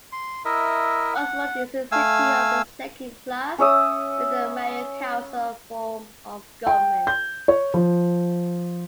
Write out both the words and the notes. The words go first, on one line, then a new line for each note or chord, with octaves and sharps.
Osborne is a city of the second class with a mayor-council form of government.
C6
E4 A#4 D#5 E5
F#5
A3 F5 G#5 E6
C#4 C#5 E5 D#6
G5
G6
C#5
F3